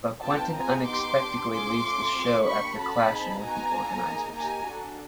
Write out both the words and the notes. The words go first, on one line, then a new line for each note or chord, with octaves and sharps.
But Quentin unexpectedly leaves the show after clashing with the organizers.
B3 D4 F4 G5 A5
C4 F4 G#4 G#5 A#5
B3 D#4 G4 C6 D6
D4 G4
C#4 F4 G#4 C6 D6
A3 C#4 F4
C4 F4 G#4
A#3 D4 G4 B5 C#6
C#4 F#4 A4 A5 B5
C4 D#4 G#4
B3 D#4 F#4 G#5 A#5
D4 F4 A4
A#3 D#4 G#4
A#3 D#4 G4 G#5 A#5
D4 F#4 A4